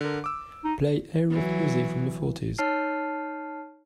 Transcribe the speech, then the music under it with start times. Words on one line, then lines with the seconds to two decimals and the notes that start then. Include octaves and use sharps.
Play Arif music from the fourties.
0.01 D3 A#4
0.24 D6 E6
0.64 D#4
1.31 E3 F#3
2.58 D#4 C#5 A5 F6 C7